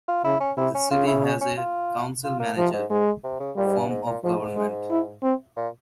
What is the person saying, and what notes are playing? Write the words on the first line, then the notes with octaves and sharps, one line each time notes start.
The city has a Council-manager form of government.
F4
C#3 E4
C#4
C3 E4
C#4
C#3 F4
E4
E4
C#4
C#4
F4
F4
A#3
C3 F3
G#2
G#2 G#3
C3
C#3
A#2 G3
G#2
G2
G#2
A#2
G#2 F3
G#3
E4
C4
A#2